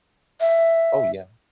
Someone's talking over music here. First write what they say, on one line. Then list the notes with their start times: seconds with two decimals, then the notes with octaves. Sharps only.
Oh, yeah.
0.41 E5